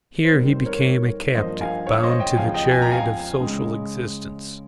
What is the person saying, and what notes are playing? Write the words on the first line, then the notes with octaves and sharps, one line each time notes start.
Here he became a captive, bound to the chariot of social existence.
C5
F2 C3 D#3 G3 A#4
C5
A#4 C#5
G2 F3 A#3 C5 D#5
F5 G#5
C#5 F5
C5 D#5
D#5 G5
C#2 C3 F3 F5 G#5
D#5 G5
G#5
A#5
F5 G#5
C#3 G#3